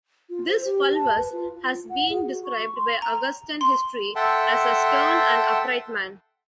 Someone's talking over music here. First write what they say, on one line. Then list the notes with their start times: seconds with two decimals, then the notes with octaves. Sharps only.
This Fulvus has been described by Augustan History as a "stern and upright man".
0.30 F4
0.48 C5
0.65 G4
0.95 A5
1.17 B4
1.32 F4
1.55 F4
1.89 F#5
2.10 G#4
2.26 F#4
2.45 C#6
2.75 C6
3.02 A#5
3.61 C6
4.16 A4 E5 F#5 G5 A5 C6